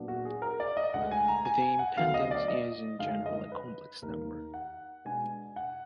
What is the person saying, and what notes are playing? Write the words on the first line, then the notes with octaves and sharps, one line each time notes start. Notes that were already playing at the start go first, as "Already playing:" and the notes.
The impedance is, in general, a complex number.
Already playing: A#2 F#3 B3 D4
F#4
G#4
A#4
D5
D#5
D2 D3 G#3 F#5
G#5
A#5
G#5
G#5
F#5
D2 D3 F#3 B3 F5
D#5
D5
D#5
F#2 D3 G#3 D#4 F5
D#5
B4
D#2 D#3 A#3 D#4 A#4
F#5
B2 G#3 B3 D4 G#5
F#5